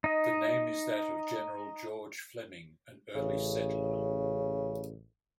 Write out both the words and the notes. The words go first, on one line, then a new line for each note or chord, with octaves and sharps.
The name is that of General George Fleming, an early settler.
D#4 D#5
A1 C#3